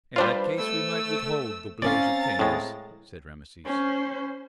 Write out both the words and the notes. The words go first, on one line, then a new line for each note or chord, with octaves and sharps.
"In that case we might withhold the blows of canes," said Rameses.
G3 D4 F4 B4 C5 B5
A3 E6
C4 C#4 D5 F5 A#5 A6
A2 G#3
C#4 C5